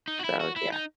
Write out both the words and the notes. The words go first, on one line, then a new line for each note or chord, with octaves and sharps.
so, yeah.
D#4
F#4
E4
F#4
E4
D#4